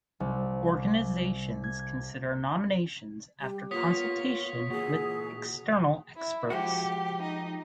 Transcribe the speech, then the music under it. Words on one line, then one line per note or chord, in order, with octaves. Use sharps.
Organisations consider nominations after consultation with external experts.
C2
G#6
G3 G4
A#3 B3 F4 C#5 D#6 B6
A#2 E3 F#4 G#4
E4
F3 G#3 F#4 G4
D#4